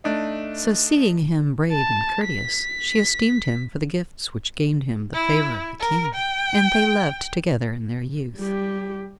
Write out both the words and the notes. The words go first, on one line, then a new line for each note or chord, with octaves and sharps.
So seeing him brave and courteous, she esteemed him for the gifts which gained him the favour of the King, and they loved together in their youth.
A3 D4 D#4
A5
B6
E4
A#4
G5
G3 G4